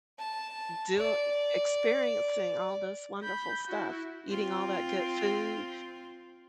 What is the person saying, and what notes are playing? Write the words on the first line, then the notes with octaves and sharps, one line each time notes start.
doi experiencing all this wonderful stuff, eating all that good food."
A5
D5
B5 G6
E4 F#4
C4 F4